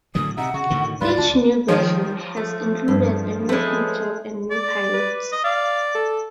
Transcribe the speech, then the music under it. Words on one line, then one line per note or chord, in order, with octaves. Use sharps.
Each new version has included a new paint job and new pilots.
A2 D3 F#3 D#6
C3 D#4 E5 F#5
C#3 F#4
A2 D3 D#3
D2 G#2 G3 F4 B4 D5
C#2 D4
D#3 F3 C#5
A3
G2
G#3 A3 B4 C#5
D5
B4
D#5
D5 F5
A4